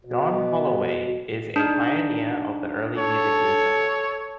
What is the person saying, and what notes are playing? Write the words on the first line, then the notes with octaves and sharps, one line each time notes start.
John Holloway is a pioneer of the early music movement.
B2
D4 D#4
A4 C#5